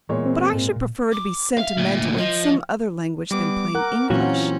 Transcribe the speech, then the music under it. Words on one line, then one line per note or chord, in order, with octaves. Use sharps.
But I should prefer to be sentimental in some other language than plain English.
A#2 E3 G#3 B3 C#5
C4
G#2
A#2
D6
E5 F5
D2 A#2
F3 D#5
G3 B3 D6
A#4 F#5 F#6
A#2 E3 F#3 A#3 C4 C#4 F4 F#4